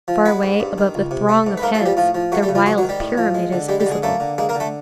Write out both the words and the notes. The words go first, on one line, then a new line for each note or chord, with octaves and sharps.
Far away, above the throng of heads, their wild pyramid is visible.
F3
G#3 B3 B4
G#2
G2
D#3
C#2
C3
A3
G#2
B4
G#2 A#3 A#4
A3 A4
F3
G3 G4
A2 F3 F4
F3
F#3 A3 F#4
G3 G4
C#3
F3 F4
G#2 F#3 F#4
F#3 F#4
D#3
G3 G4
A2
F3
G#3
D3
G3 G#3 G4
G3 G4
D3
G#3 G#4
A3 A#3 A4
D3
G#3 A#3 G#4
A#3 A#4
D3
A3 A4